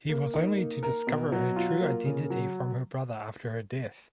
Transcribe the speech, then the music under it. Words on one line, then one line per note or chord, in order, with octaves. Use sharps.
He was only to discover her true identity from her brother after her death.
A#3
D#4
A#3
A#4
B2
F#3
F4
A#3
C#3
F#3